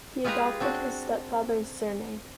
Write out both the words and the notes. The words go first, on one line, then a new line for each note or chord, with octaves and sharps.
He adopted his stepfather's surname.
G#3 F4 G4 G#4 B4 A#5
C4 D4 F#4